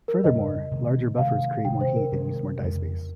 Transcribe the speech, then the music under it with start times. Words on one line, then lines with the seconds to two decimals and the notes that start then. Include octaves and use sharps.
Furthermore, larger buffers create more heat and use more die space.
0.08 A#4
0.24 F2 C#3 G3 D#5
0.71 C3 D#3 G#3
1.18 C3 D#3 G#3 F5
1.65 C3 D#3 G#3 G5
1.81 C5
1.96 A#4
2.12 C3 D#3 G#3
2.59 F2 C#3 G#3